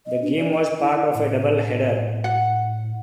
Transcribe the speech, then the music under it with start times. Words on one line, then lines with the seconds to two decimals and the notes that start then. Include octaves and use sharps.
The game was part of a double header.
0.06 D#5
0.22 D4
0.38 D5
0.52 D#5
0.80 E4
1.15 A2
2.24 F#5